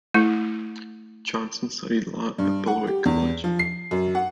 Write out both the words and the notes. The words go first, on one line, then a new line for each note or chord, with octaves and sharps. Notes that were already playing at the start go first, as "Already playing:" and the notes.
Johnson studied law at Beloit College.
A3 E4
G2
F#5
G4
E2
F3
C7
F#2
F#5